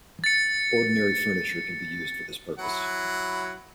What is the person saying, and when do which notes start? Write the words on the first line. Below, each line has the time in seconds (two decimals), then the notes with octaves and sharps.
Ordinary furniture can be used for this purpose.
0.24 A6 C#7
2.59 F#3 E4 F#5